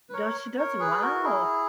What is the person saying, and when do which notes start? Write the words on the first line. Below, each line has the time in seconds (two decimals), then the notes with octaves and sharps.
Does she doesn't? Wow.
0.09 B4
0.14 A#4 C#5
0.58 A#4 C#5
0.79 G#4 B4
1.01 F#4 A#4
1.23 E4 G#4